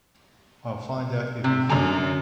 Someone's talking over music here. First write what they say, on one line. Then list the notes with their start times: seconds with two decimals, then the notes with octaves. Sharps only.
I'll find out everything.
1.44 C3
1.69 F#2 D3 G#5 A#5